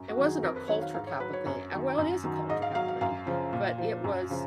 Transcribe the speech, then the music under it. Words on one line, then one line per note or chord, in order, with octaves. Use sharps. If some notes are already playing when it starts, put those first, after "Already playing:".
It wasn't a culture type a thing uh, well, it is a culture type thing, but it was
Already playing: F#2
F#4
D#3 F#3
G#4
F2 A#4
B4
D#3 F#3 C#5
F5
G#2 F5
C#5
F#3 B4
C#5
F#2 C#5
D#3 F#3
F#2
D#3 F#3
G#2 D#5
F5
F#3 F5
F5
F#2 F5
C#3 F3
A#2
F3
F#2
C#3 F3